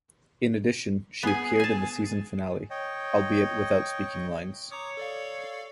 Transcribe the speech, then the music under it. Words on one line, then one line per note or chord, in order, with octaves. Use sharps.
In addition, she appeared in the season finale, albeit without speaking lines.
B3 G#4 G#5
G#5 A5
C#5 D#5 G5
C#5 A#5 D6 D#6
A4 D5 F5